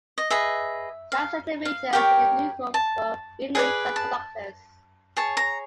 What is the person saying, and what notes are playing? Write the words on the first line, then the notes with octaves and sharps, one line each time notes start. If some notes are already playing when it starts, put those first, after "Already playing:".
Staff sergeant majors in the new corps were renamed sub-conductors.
D#5
G#4 B4 D#5 E5
F5
F5
G4 A#4 C#5 G5
A5
G#4 B4 D5 G#5
A5
G#4 C#5 A5
A#5